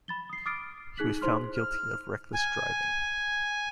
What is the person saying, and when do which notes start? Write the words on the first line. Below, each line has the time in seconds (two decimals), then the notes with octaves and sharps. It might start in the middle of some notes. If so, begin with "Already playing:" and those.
He was found guilty of reckless driving.
0.08 B5 A6 G7
0.29 D#6 C7
0.46 D6 D#6 F6 A6 C7 D7
0.97 D#4 G#4 F#6 B6 F#7
1.21 D#4 E4 C5 C6 F6
1.55 F6
2.34 G#5